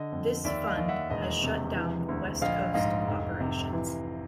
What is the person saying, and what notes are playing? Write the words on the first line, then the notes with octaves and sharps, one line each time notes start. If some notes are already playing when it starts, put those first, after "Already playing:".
This fund has shut down West Coast operations.
Already playing: D3 D#5
F2
D#2 D5 E5
D#5 F5
D#2
E5 F#5
E1 D#5
C3
E3
D2
A#1 D#5 F5
G#2 D#5 F5
F1
C3
E3